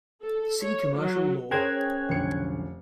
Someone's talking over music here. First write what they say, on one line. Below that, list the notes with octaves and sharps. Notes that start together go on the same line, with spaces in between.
See commercial law.
A4
C#5
F#3
C#4 G#4 A#4 C5 C#5 G5 F#6 G#6
F1 B1 D3 C#7